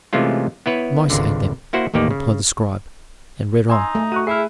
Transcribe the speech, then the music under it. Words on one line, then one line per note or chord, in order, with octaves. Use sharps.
"The mice ate them," replied the scribe, and read on.
C3 E3 G#3 A3 C#4 F4
B3 E4 B4 C#5
G#1 C#2 D3
A#3 E4 F#4 C5 F#5
A1 D#2 A#3 D#4 G4 D5
C#3
D#4 G#5 C6 E6
A3
F#4 C#6 F#6 D#7
E4 G#4 E5 F6 C7